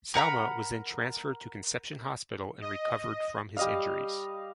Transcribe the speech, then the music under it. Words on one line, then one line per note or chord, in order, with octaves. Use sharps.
Salameh was then transferred to Conception Hospital and recovered from his injuries.
A#4 F#5 A#5 B5
D#5
G3 D#5 F5